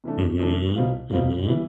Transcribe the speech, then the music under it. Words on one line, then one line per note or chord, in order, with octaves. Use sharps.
Mhm, mhm.
C3 E3 A3 D4
C3 E3 A3 D4
C2 B2 G3 C4 F4
C2 B2 G3 C4 F4
E3 G3 B3 E4